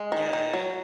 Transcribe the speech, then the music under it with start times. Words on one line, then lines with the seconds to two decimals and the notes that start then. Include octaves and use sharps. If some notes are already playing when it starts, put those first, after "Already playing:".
Yeah, yeah.
Already playing: G#3
0.12 D#3
0.33 D#3
0.54 F#3